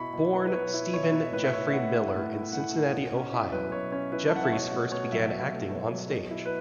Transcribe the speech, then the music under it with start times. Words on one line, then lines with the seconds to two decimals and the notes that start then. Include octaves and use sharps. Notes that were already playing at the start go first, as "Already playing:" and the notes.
Born Stephen Geoffrey Miller in Cincinnati, Ohio, Geoffreys first began acting on the stage.
Already playing: B2 E4 B5 C#6
0.13 B2
0.34 B3
0.47 B4
0.53 B2 C#5
0.74 E4
0.93 B2 C#5
1.03 E5
1.13 B3 C#5
1.23 E5
1.33 A2 B4
1.44 E5
1.53 E4 C#5
1.68 E5
1.73 A2 F#5
1.93 A3
2.13 A2
2.33 E4
2.52 A2 F#5
2.73 A3
2.93 B2
3.13 C#4
3.32 E4 E5
3.52 F#3 B4
3.72 B2 C#5
3.92 C#4 C#5
4.12 E4 B4
4.28 A5
4.32 F#3 F#5
4.44 E5
4.52 B2 C#5
4.72 A3 F#5
4.92 B2 C#5
5.12 F#3 E5
5.32 B2
5.52 A3
5.71 B2 C#5
5.92 F#3
6.12 B2
6.31 E4
6.46 B4